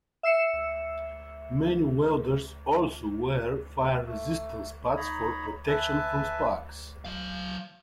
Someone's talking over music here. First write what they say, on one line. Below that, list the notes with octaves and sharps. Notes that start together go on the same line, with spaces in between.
Many welders also wear fire-resistant spats for protection from sparks.
E5 E6 C7 C#7 E7
A3
D#4 C#5 A#5 B5
B4 E5 G#5 A5
F#3 F5